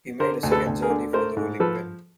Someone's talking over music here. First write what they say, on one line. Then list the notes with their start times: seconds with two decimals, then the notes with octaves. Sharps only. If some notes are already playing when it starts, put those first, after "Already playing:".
He made a second journey for the rolling-pin.
0.20 D3 A#4 C5
0.43 D2
0.51 A4 B4
0.67 D2
0.82 G#4 A#4
0.90 D3
1.13 A3 A#4 C5
1.37 G#2
1.60 F3 A4 B4